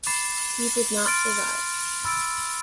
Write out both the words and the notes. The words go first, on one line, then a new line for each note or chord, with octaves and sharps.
He did not survive.
B5 D6 A6 C7 E7
C6 F6 A6 D7
B5 E6 A6 D7